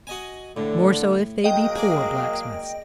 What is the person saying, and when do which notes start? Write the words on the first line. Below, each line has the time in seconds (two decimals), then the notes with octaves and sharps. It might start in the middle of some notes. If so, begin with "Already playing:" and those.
"More so if they be poor blacksmiths."
0.07 F#4 D#5 G#5
0.57 A2 D3
1.44 F#3 G#3 A#3 D#5 G5
1.76 G#4 D5